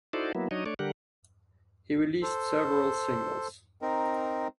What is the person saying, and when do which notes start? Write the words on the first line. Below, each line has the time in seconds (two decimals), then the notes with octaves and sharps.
He released several singles.
0.13 D#4 E4 F#4 A4 C5 D5
0.35 F#3 A#3 B3 E4
0.51 F#3 D4 D#4 C#5 D#5
0.66 A3 D4 C#5 D5
0.79 D3 G3 G4 A#4 F#5
2.22 A4 C5
3.82 C4 D#4 A#4